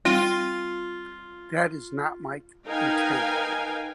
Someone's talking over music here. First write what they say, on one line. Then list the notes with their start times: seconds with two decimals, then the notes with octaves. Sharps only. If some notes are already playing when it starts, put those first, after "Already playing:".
That is not my intent.
0.05 G3 C4 F4
2.66 D#4 A#4 B4 F5 G5 G#5